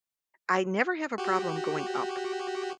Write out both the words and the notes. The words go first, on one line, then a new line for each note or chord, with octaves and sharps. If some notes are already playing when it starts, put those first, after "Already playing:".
I never have a problem going up.
F#4 G4